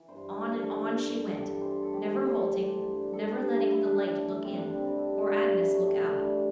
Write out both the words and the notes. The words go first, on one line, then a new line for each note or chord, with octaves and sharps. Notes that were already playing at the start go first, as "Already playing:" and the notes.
On and on she went, never halting, never letting the light look in, or Agnes look out.
Already playing: E3
G2 C5
E3
G2 A4
E3
G2
E3
G2 G4 A4
E3 C5
A2 A4
G4
E3 C5
D5
A2 C5
E3
G2
D3
G2 A4
D3 G4
A2 E4
E4
E3
D4
A2
E3
G2 C4
D4
D3
C4
G2 G3
D3
G2
E3
G2 A3
C4
E3 D4
A3
A2 G3